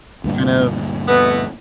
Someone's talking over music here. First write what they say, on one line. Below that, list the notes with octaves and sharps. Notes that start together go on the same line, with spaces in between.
kind of
D2 G2 A#2
B2 A3 B3